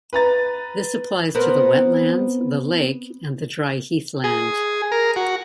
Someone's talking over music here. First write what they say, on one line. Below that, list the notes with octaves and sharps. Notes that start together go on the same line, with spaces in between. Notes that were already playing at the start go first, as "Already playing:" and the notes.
This applies to the wetlands, the lake and the dry heathland.
B4 A#5 A6
B3 C4 A#4
G#4
A#4
F#4